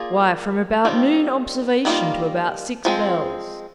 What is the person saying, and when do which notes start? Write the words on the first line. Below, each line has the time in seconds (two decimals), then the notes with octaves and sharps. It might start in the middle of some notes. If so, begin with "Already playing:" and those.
"Why, from about noon observation to about six bells."
Already playing: A#3 F4 G#4 D5
0.85 D#3 G3 C4 F4
1.85 D#3 G3 A#3 F4
2.85 F3 G#3 C4